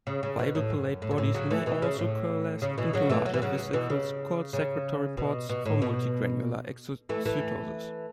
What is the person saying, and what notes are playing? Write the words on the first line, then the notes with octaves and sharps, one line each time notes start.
Weibel-Palade bodies may also coalesce into larger vesicles called secretory pods for multigranular exocytosis.
C#3
C#3
B2
A2
F#2
A2
F#2
A2
C#3 F#3
E3 A3
B2 E3
C#3
A2
C#3
B2 E3
C#3 F#3
E3 A3
F#3
E3
C#3 F#3
C#3
B2 E3
C#3
C#3
B2
B2
A2
B2
E3 A3
E3 A3